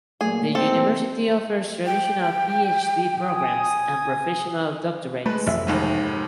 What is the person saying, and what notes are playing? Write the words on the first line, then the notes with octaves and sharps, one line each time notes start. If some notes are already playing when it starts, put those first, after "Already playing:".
The University offers traditional Phd programmes and Professional Doctorates.
A#2 F#3 A3 G#4
C4 D#4 E4 G4 A4
G5
G#5 D#6
G#3 A3 B4
A1 F2 C3 E5
F1 D#2 G#2